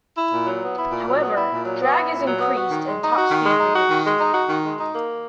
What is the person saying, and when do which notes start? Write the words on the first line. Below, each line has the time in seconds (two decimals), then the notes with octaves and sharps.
However, drag is increased and top speed reduced.
0.17 E4
0.32 A#2
0.47 F#3
0.61 B3
0.77 E4
0.92 A#2
1.07 F#3
1.21 B3
1.36 E4
1.51 A#2
1.65 F#3
1.81 B3
1.96 E4
2.11 A#2
2.26 F#3
2.40 B3
2.55 F#4
2.71 D#3
2.85 G#3
3.00 D#4
3.15 F#4
3.30 D#3
3.44 G#3
3.59 D#4
3.75 F#4
3.89 D#3
4.04 G#3
4.19 D#4
4.33 F#4
4.49 D#3
4.63 G#3
4.78 D#4
4.94 A#3